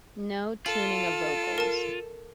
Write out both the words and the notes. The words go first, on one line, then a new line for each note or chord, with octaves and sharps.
No tuning of vocals.
F4 A4 F#7
A#4 A5